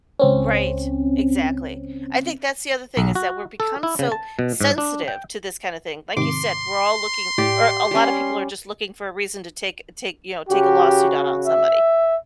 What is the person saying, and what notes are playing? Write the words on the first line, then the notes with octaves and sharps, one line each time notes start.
Right. Exactly. I think that's the other thing is that we're become so sensitive to this kinda thing, like you said, we're all looking or a lotta people are just looking for a reason to take take, you know, take a lawsuit out on somebody.
C#2 C4 C#4
B1
F#4
A4
E4
C#3
A5
B2
G#2
D4
G5
G#2 C3 D#3 C6 D6
A2 G4 D5
G3 C#4
C#3 F#4 G4
E5